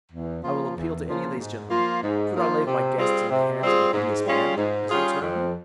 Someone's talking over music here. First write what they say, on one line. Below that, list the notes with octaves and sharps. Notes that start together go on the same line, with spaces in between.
I will appeal to any of these gentlemen, could I leave my guest in the hands of a hideous bandit, as you term him?
E2
C#3 F3 A#3 F4
E2
C#3 F3 A#3 F4
G#2
F3 A#3 F4
G#2
F3 A#3 F4
C3
G3 C4 F4 G#4
C3
G3 C4 F4 G#4
G#2
G3 C#4 F4 G#4
G#2
G3 C#4 F4 G#4
F2